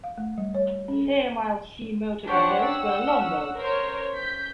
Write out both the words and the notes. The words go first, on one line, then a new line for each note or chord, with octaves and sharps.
Fairmile C motor gun boats were long boats.
F5
A3
G3
C#5
C#4
D4 G4 C5 C#5 F#5
F#5 E6
C#4
A#4 C5 C#5
G6 B6